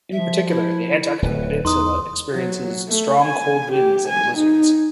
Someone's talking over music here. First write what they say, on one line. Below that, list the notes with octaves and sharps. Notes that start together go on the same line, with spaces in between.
In particular, the Antarctic Peninsula experiences strong cold winds and blizzards.
F3 E5
E4
D1 A2 B4
E2 D#4 C6 D#6
F#3
A3
G#5
G4
G#5
D#4